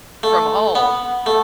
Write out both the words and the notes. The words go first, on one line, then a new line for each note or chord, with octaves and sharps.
from home
A3
B3
A3